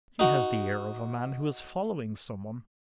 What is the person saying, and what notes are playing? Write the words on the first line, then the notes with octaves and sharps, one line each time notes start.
"He has the air of a man who is following some one."
D#4 F#4